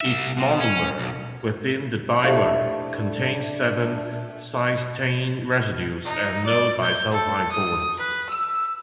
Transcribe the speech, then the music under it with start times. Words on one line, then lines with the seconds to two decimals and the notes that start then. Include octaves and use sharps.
Each monomer within the dimer contains seven cysteine residues and no disulphide bonds.
0.01 C2 E5
0.38 B2
0.60 C#4
0.99 B1
2.24 A2 A3 D4 G4 C5 F5
6.05 D#4
6.46 D5
6.82 G6
7.12 A4
7.52 D#6
7.97 B4
8.30 E6